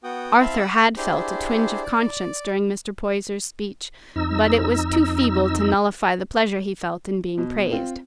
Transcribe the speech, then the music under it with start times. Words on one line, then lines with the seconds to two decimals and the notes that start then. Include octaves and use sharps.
Arthur had felt a twinge of conscience during Mr. Poyser's speech, but it was too feeble to nullify the pleasure he felt in being praised.
0.04 B3 F#4 G5 D#6
0.40 C4 E4 E5 F5 A5 B5
0.60 F#5 B5 D6 E6
0.97 D4 E4 G4 G#4 C5
1.83 D5
4.16 F2 D#4 E6
7.38 B2
7.71 C4 F4